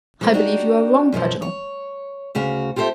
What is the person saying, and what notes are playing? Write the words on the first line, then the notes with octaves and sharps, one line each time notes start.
"I believe you are wrong, Paganel."
F3 G3 A3
D4 D#4 F#4 G4
F#2 B2 D3 F3
C#5
D2 C#3 F#4 F5
F4 G4 A4 C5 E5